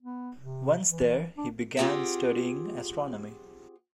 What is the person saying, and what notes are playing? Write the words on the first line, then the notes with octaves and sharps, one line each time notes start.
Once there he began studying astronomy.
B3
C3
E3
D4
C4 F4 G4 G#4 F#5 G5